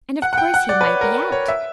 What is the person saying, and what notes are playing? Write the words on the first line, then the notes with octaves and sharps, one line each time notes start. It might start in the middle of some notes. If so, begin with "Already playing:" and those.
And of course, he might be out.
F#5
F#5
G5
F#5
D5
B4
C#5
A#4
C#5
E5